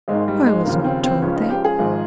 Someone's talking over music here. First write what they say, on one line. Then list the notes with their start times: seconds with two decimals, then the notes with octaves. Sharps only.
"I was not told that."
0.08 G#1 G#2 D#3 G#3
0.28 G3
0.47 G#3
0.65 D#2 C#3 F3 A#3
0.84 C4
1.03 C4
1.22 C#2 C#3 F3 C#4
1.36 D#4
1.50 G4
1.64 G#4
1.79 G#1 G#2 F3